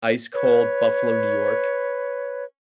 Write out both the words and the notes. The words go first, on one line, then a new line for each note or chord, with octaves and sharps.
ice cold Buffalo, New York.
B4 C#5